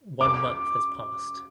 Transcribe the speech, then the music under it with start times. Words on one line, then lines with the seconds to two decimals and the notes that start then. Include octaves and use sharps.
One month has passed.
0.21 D6